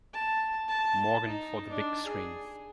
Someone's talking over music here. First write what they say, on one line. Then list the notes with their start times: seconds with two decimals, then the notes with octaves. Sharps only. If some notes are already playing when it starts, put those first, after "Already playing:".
Morgan for the big screen.
0.13 A5
0.68 A5
1.27 D#4
1.70 D4
2.06 G#4